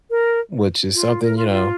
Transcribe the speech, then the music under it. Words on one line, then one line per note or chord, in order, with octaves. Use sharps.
which is something, you know,
A#4
F4
A#4
F4
F4